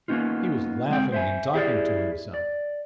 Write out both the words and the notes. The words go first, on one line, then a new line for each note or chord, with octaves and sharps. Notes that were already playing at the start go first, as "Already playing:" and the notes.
He was laughing and talking to himself.
A#3 B3 C#4 D#4 F4
C#2 G#3 C4 G5
C5 E5 G#5
E4 G4 G#4 C5 D5
D5